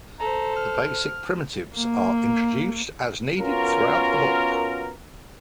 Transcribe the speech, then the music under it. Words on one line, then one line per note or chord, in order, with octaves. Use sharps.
The basic primitives are introduced as needed throughout the book.
A4 C5 A#5
F6
A#3
B3 C#4 F4 F#4 A#4